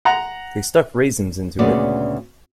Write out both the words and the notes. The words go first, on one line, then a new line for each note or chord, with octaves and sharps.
They stuck raisins into it.
F#5 A#5
D2 A#2 C#3 B3 D5